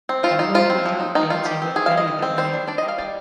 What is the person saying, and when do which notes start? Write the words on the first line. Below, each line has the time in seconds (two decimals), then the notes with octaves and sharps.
Donald went out dancing with Betty that night.
0.09 C4
0.23 F3 F4
0.39 D#4 F4
0.54 F3 F4
0.70 C4
0.85 F3
1.00 D#4
1.15 D#3 D#4
1.30 G3 F4
1.45 D#3 G4
1.62 C4
1.76 D#3 G#4
1.86 F5
1.91 G3
1.97 D#5
2.08 D#3
2.22 C4
2.38 G3 C5
2.53 D4
2.67 D4 D5
2.78 G3 D#5
2.88 F5
2.98 G3 D5